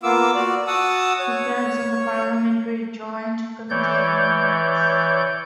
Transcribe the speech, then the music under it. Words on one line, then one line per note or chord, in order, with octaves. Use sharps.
He serves on the Parliamentary Joint Committee on Human Rights.
A#3 B3 F4 D6 E6
F#4 D5
F#4 F#5 A5 D#6 E6
C#5
E3 C#5 D5 G6